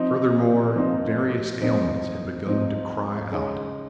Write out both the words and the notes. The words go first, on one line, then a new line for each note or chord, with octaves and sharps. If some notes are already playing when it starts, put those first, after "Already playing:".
Furthermore, various ailments had begun to cry out.
Already playing: F3 C4 D#4
F3 C4 D#4
F3 C4 D#4
F3 C4 D#4
C#3 G#3 D#4 G#4 C#5